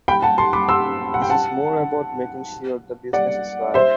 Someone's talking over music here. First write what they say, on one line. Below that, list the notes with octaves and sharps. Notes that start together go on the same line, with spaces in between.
This is more about making sure the business is right.
G5 B5
F#5 A5
A5 C6
B5 D6
C6 E6
F#5
G5
F#5 A5
D5 F#5
C5 E5